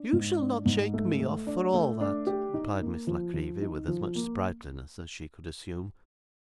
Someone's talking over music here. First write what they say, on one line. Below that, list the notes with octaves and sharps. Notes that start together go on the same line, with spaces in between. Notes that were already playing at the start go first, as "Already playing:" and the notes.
'You shall not shake me off, for all that,' replied Miss La Creevy, with as much sprightliness as she could assume.
Already playing: D4
G#2
D4
G#2
A3
A3
D4
A3
D4
G4
D#4
A#3
F3
F3
D#4
F3
A#3